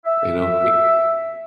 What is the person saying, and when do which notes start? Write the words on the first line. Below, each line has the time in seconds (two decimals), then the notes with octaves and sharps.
You know, i
0.05 E5